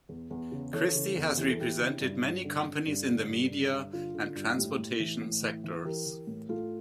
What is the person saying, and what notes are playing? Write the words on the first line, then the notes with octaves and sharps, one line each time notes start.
Christie has represented many companies in the media and transportation sectors.
E2
E2
C#3
E3 A4 C#5
C#3
E2
E3 G4
A4
E2 E4 G4
C#3
G2
G2
D3
D3
G2
D3
G2
D3
G2
D3 F4
D3
G2
A2 E4 G4
A2
E3
A2
E3
E3
E3 G4 A#4
E3
A2
A2 F4 A4